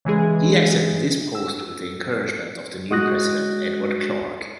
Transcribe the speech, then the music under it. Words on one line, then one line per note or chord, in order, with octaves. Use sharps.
He accepted this post with the encouragement of the new president, Edward Clark.
C#3 E3 G#3 G#4
E6
G#3 F#4 D#6 F#6 A#6